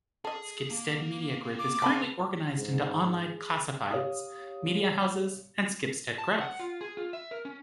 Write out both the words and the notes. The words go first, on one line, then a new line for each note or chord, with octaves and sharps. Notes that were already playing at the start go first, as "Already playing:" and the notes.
Schibsted Media Group is currently organized into Online Classifieds, media houses and Schibsted Growth.
G#4 A4 D#5
A#3
D6
C#2 C#3 G#5 A5 B5
G#2 G#4
G4 C#5 F5 D#6
A5
F#5
F4
G#4
F4
E5
A#4
C#4